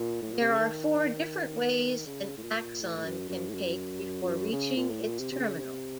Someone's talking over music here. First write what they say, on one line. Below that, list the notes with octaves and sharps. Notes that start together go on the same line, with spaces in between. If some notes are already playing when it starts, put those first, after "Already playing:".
There are four different ways an axon can take before reaching its terminal.
Already playing: A#2
A2
A#2
C3
C#3
D#3
C#3
A2
A#2
A2
A2
F#2
F#2
A2
F#2
F2
F#2
C#3
A#2
A2
A#2
C3
C3
C#3
C3